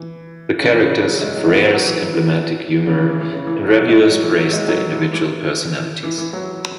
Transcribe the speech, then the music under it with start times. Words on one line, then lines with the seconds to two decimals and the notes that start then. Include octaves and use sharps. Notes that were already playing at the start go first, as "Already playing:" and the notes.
The characters have Rare's emblematic humor, and reviewers praised their individual personalities.
Already playing: E3
0.61 C#3
0.72 E3
0.84 C#3
1.06 F#3
1.21 G#3
1.37 F#3
1.48 G#3
1.51 B3
1.63 F#3
1.74 F#3
1.86 E3
2.87 C#3
2.98 E3
3.09 E3
3.21 E3
3.33 C#3
3.47 E3
3.63 F#3
3.78 F#3
3.88 G#3
4.11 F#3
4.22 E3
4.37 F#3
4.53 G#3
4.68 F#3
4.91 E3
5.13 E3
6.03 E3
6.18 E3
6.33 F#3